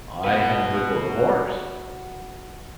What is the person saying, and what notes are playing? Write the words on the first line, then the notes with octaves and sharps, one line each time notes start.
"I had her for a horse."
F#4 B4